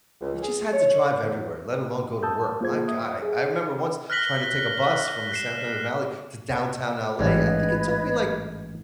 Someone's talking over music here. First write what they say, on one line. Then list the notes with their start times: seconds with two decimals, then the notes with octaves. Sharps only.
You just had to drive everywhere, let alone go to work; my god, I I remember once trying to take a bus from the San Fernando Valley to Downtown LA, I think it took me like
0.21 C#2
0.42 G#4
0.73 C#5
1.21 E2
2.23 A5 D#6 E6 G6
2.61 A#3 F4 G#4 C5 G#6
2.88 E5 D#6
3.23 G#4
4.10 F6 F#6 A#6 B6 F#7 G7
5.32 F#6 C7 E7
7.19 A1 G#2 B4 D#5 G#6